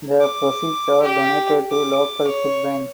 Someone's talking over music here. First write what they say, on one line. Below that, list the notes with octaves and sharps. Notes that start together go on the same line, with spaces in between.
The proceeds are donated to local food banks.
D6
G4
D6
C#5